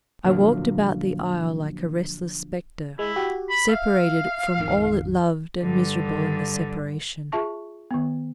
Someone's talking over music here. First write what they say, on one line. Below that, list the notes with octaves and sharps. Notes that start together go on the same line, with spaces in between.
I walked about the isle like a restless spectre, separated from all it loved and miserable in the separation.
A#2 D3 F3 F#3 A#3
G#3 E4
F#4 G4
B5
E5 F5
A1 F2 D#3
G2 D3
F4 G#4 E5 A5 C#6
D#3 B3